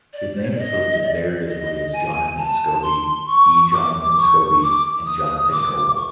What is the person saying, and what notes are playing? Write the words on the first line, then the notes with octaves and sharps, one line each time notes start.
His name is listed variously as "Jonathan Scobie", "E. Jonathan Scobie" and "Jonathan Goble".
D5
C5
C#5
D5
D#5
D5
D#5
G#5
A5
C6
C#6
D6
C#6
D6
D#6
D6
C#6